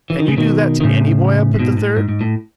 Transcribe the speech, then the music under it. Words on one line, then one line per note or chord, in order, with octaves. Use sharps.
"Can you do that to any boy up at the Third?"
E3
D#3
C#3
B2 D#3
D#3
A2 C#3
C#3
G#2 B2
A2
G#2
G#2
A2